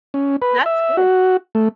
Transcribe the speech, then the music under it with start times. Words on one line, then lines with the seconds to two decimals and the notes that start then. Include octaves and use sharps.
That's good.
0.14 C#4
0.42 B4
0.66 E5
0.97 F#4
1.55 A3